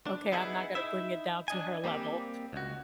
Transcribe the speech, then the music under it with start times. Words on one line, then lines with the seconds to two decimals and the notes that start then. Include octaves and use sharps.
"Okay, I'm not gonna bring it down to her level."
0.07 D4
0.32 B3 D#4 E4 G#4
0.75 D#4 E4 E5
1.48 D4 D#5 G#5
1.84 G3 A#3 C4 G4
2.53 C#2 F#4